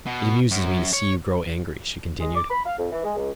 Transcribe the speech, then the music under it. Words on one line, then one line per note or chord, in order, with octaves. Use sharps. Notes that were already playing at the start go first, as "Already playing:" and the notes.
"It amuses me to see you grow angry," she continued.
B2
F#2
C#5
G#3
D6
B5
F5
F2
E3
G#3
C#2